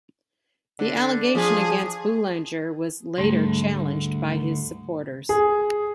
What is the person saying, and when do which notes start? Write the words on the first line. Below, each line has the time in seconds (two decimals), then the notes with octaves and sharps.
The allegation against Boulanger was later challenged by his supporters.
0.79 D3
1.35 F3 G#4
3.18 D2 G#2 D3 G3 A3
5.29 G#4